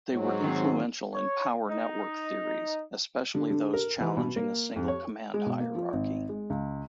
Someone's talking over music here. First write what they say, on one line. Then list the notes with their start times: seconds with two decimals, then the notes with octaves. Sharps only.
They were influential in power network theories, especially those challenging a single command hierarchy.
0.13 G#2 F#3
0.44 D#3 C4
1.15 C#5
1.69 D#4
3.35 D3
3.51 D3
3.73 A#4
4.01 E3
4.17 B2
4.36 A#3
4.76 F2
4.88 C#5
5.34 G#3
5.46 B2
5.60 A#3
5.75 F3
5.93 G#1
6.29 G#3
6.50 C#2